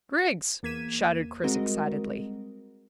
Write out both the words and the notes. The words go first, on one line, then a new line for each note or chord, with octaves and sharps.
"Griggs!" shouted Chris excitedly.
E2 A#3 G#6 B6 D#7 E7
G3 G#3 C4 F#4 A#4 D#5